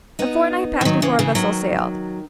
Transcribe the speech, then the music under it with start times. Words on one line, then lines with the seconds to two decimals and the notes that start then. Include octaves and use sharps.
A fortnight passed before a vessel sailed.
0.19 B3 D#4
0.81 E3
0.85 D#3 F#3
1.02 C#3 E3
1.19 C#3 E3
1.35 D#3 F#3